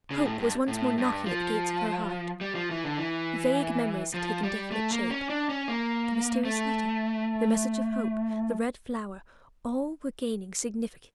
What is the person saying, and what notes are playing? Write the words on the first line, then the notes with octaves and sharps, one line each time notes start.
Hope was once more knocking at the gates of her heart--vague memories had taken definite shape ... the mysterious letter ... the message of hope ... the red flower ... all were gaining significance.
C#3
A2
G2
A2
G2
F3
G3
F3
E3
D3
E3
F3
G3
A3
A#3
C#4
D4
C#4
A#3
A3